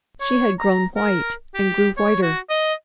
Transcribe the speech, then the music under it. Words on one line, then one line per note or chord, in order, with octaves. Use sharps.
She had grown white, and grew whiter.
C#5
A#5
A#4
G4
C#5
F#4
D#5